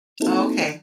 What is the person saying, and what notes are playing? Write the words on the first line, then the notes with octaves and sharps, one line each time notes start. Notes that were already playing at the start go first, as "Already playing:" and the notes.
Oh, okay.
A#3 C4 D#4 E4 F#4 A4